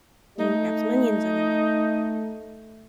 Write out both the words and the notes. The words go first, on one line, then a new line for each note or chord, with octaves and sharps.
"Can you grab some onions on your way home?"
A3 D#4